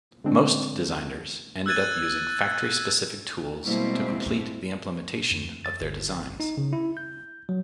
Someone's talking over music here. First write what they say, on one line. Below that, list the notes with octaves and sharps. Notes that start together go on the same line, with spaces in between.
Most designers ended up using factory-specific tools to complete the implementation of their designs.
D3 G#3 C4 D4
E6 F#6 G#6 A6 D#7
B2 G3 G#3 A#3 C4 E4
F2
A6
G1
D#4
C#3
E4
G6
F#3